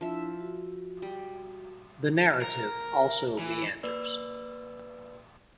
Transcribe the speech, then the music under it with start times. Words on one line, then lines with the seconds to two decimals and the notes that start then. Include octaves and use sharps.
The narrative also meanders.
0.01 F3 D4 E4 E5
0.40 F#4
1.02 G3
2.42 A#4
3.39 E3
3.83 A#3 B4 D5 E6